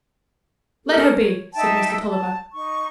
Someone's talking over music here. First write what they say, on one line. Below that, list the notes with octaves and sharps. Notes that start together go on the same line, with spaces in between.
"Let her be," said Mr. Tulliver.
D#4 G4 A4 A#4
C#5
D#4 E5 G5 A5
A5
D#4 C#6